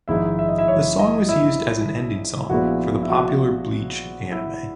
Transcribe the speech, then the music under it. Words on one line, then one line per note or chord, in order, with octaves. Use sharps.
The song was used as an ending song for the popular "Bleach" anime.
A#1 G#2 D#3 G#3 D#4 E4 E5
E5
D#5
E4 E5
C#5
D#5
E4 E5
A#1 A#2 G#3 B3 E4 F#4 F#5
E5
F#4 F#5
E4 E5